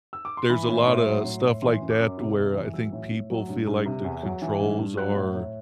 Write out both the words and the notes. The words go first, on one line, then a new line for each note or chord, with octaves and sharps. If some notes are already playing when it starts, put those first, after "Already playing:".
there's a lotta stuff like that to where I think people feel like the controls are
E6
D6
C6
E3 B5
A2
C6
A2
F#3
A2
A2
E3 C6
F#2
D6
F#2
C3
E2
E3
F#3 E6
A2
A2
F#3
G2
G2
C3
E2
F#3
E3
G2
G2
F#3 F#6
A2
A2